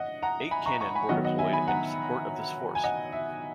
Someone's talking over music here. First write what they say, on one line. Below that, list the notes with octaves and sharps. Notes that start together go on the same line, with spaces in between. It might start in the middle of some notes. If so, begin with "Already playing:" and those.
Eight cannon were deployed in support of this force.
Already playing: D#5 F#5
F#5 A#5
G#5 B5
A#5 C#6
A#5 C#6
G#5 B5
D#3 F#3 B3 D#5 F#5
D#5 F#5
E5 G#5
G#5 B5
F#5 A#5
G#5
D#5 F#5
E5